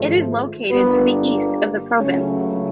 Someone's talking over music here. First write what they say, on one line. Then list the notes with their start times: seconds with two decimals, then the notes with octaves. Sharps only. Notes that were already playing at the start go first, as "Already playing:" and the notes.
It is located to the east of the province.
Already playing: G#1 G#2 F3 A3
0.70 G1 G2 D3 G3 A#3 B3
1.98 C#2 C#3 F#3 A3 C#4